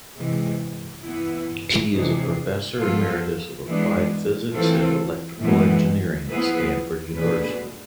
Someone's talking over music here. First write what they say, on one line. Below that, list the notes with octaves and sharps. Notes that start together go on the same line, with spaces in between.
He is a professor emeritus of Applied Physics and Electrical Engineering at Stanford University.
C3 E3 G#3
E3 B3 E4
C3 E3 G#3 D4 G#4
F3 B3 F4 A4
E3 G#3 B3 D4
E3 A3 C4 F4 A4
A2 E3 G#3 B3
F3 B3 E4 G#4 B4
B2 A3 D4 G#4 B4